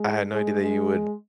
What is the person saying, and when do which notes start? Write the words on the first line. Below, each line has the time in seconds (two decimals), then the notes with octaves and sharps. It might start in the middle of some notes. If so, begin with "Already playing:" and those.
I I had no idea that you would
Already playing: G#3
0.32 G#3
0.61 G#3